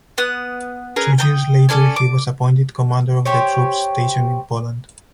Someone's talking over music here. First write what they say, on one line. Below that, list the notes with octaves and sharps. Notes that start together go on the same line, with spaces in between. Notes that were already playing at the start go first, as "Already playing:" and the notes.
Two years later he was appointed commander of the troops stationed in Poland.
B3 F#5 D#6
C#4 G#4 A#4 B4
G5 A5 D#6
C#4 A4 D5 G#5
D6
G4 C5 C#5